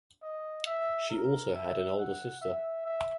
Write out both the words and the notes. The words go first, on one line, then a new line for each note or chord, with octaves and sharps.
She also had an older sister.
D#5
E5
A#4
E5
F#5
E5
E5